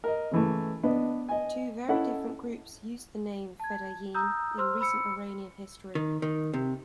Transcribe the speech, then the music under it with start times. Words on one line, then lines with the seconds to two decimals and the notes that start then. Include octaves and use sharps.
Two very different groups used the name Fedayeen in recent Iranian history.
0.04 A#4 D#5
0.31 C#3 E3 A3
0.83 B3 D4 D#5
1.29 D#5 G#5
1.88 C#4 E4 A4 D#5 F#5
3.60 A5 G#6
4.15 A#5 D#6 E6 G6
4.58 C5 C6 E6 F6
4.81 B5 E6 C#7
5.95 D#3
6.22 D#3
6.54 C3